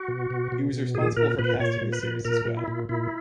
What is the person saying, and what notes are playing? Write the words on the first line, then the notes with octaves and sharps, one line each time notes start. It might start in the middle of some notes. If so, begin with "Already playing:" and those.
He was responsible for casting the series as well.
Already playing: F#4
B2
B2
B2
B2
A#2 G#4
A#2 A#4
A#2 B4
A#2 C#5
A#2
B4
A#2
A#2 A#4
A#2
E4
A#2
A#2 E4